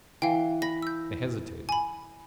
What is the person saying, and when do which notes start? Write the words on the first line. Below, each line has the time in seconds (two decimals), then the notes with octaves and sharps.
They hesitated.
0.22 E3 F5 G5
0.62 B5 A#6
0.82 E6 G6
1.69 G#5 B5